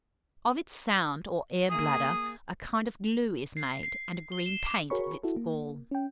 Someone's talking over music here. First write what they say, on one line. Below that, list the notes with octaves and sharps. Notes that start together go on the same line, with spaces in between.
Of its sound, or air-bladder, a kind of glue is made, and a green paint of its gall.
A#3 G#4 D#6
C7
C7
G7
E7
D6
F#4 G#4 A#4 C#5 B5 C#6
E4 F#4 A4
A#3
C#4 G5